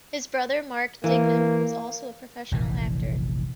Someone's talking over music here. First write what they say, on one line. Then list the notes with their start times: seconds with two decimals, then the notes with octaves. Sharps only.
His brother Mark Dignam was also a professional actor.
1.04 E3 A#3
2.52 F1 A#1 E3